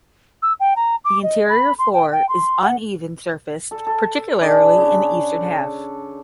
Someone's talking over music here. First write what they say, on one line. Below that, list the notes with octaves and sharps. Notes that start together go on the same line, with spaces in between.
The interior floor is uneven surfaced, particularly in the eastern half.
E6
G5
A#5
D6
D#5
B5
C6
G5
G5
C6
F#5
A4
A4
D4 G#4 D5 B5
C#3 D4
A4